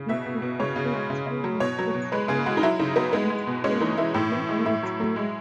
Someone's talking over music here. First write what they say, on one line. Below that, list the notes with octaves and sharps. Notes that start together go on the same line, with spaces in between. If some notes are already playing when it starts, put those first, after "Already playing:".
This was the first time we had seen this plant on our journey.
Already playing: C#3
B2 E5
B2
B2
C#3 C#5
C#3
G#3
C#3
C#3
F#3
B2 C#5
F#3
B2
G#3 B4
C#3 G#4
G#3 F#4
D#4
F#3 E4
C#3 D#4
F#3 B3
G#3 B3
G#3
B2
G#3 C#4
E3 D#4
E3 E4
A2
E3
G#3
A2 E4
F#3
F#3
G#3